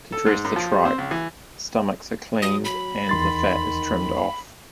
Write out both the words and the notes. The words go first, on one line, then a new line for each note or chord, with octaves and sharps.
To dress the tripe, the stomachs are cleaned and the fat trimmed off.
A4
G#2
F#2
F3
G3
C4
C#2
E3
F#3 D#6
B5
E2 D#3 C6 A6